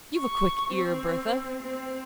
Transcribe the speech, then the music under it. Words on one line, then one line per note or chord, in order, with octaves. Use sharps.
You've a quick ear, Bertha.
C#6
C4
C4